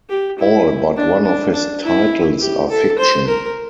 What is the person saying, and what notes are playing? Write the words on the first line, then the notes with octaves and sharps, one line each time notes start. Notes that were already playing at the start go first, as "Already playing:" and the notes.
All but one of his titles are fiction.
G4
E4
D4
D4
D4
E4
G4
A4
C5
A#4